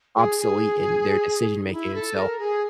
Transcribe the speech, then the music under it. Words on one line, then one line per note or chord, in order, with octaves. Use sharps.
obsolete in their decision making and so,
G#4
G#4
D#4
E4
A4
A#4
G#4